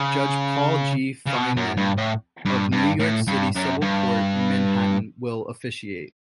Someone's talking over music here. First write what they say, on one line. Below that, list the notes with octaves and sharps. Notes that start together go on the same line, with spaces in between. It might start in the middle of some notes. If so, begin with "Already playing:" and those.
Judge Paul G. Feinman of New York City Civil Court in Manhattan will officiate.
Already playing: C#3
C#3
B2
F#2
G2
A2
G2
G2
A2
G2
F#2
G2